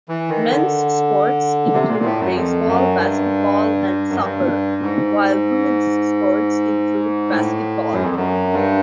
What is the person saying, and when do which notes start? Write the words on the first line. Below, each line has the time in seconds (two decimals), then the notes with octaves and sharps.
Men's sports include baseball, basketball and soccer; while women's sports include basketball.
0.08 E3
0.29 D#3
0.50 D3
1.73 C3
1.89 A#2
2.04 A2
2.20 F#2
2.35 F2
2.67 F#2
2.97 G2
4.09 F#2
4.21 G2
4.82 G#2
7.29 A2
7.92 F#2
8.03 F2
8.15 F#2
8.53 G2